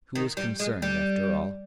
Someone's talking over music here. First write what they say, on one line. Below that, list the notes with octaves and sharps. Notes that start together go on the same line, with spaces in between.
Who was concerned, after all?
D#3
G3
G#3
G3